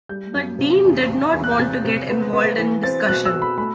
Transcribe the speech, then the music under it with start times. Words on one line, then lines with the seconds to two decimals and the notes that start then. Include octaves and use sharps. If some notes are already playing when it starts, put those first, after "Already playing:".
But Dean did not want to get involved in discussion.
0.09 G3 G6
0.34 F#2
0.59 C3
0.85 E2
1.09 C3
1.34 E2
1.44 F#6
1.51 G6
1.59 C3 A6
1.84 C3
2.09 B3
2.33 B3
2.58 E3
2.83 C4 A6
3.09 B2 F#6
3.26 E6
3.33 B2
3.42 B5
3.58 A3 B5